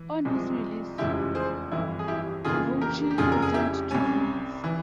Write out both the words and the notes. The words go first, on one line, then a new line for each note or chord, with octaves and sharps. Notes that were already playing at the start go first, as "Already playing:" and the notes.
On his release Grouchy returned to France.
Already playing: E3
C2 C3 F3 G#3
F1 E2 C#3 F3 G#3 E4 G4
G#4 C5
G1 F2 E3 E4
G#4
E4 G4
F2 C#3 E3 A#3 F4 G#4
G4 A#4
G4
F1 F2 C#3 F4 G#4
A#4
G#4
E4 G4
C2 C3 G3 C#4
E3